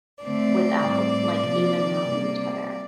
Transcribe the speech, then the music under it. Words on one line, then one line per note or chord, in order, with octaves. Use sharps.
without, like, even knowing each other.
D3 A3 C4 D5
A2 G3 C4
C3 F3 A#3
C3 G3 A#3